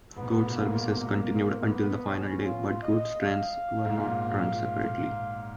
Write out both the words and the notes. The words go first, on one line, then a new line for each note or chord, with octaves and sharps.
Goods services continued until the final day but goods trains were not run separately.
G#2 B3
B2
A#2
A#3
G#2
A#2
B2 A#3
A#3
B3
C#4
F4
D#5
F5
G#2
A#2 F5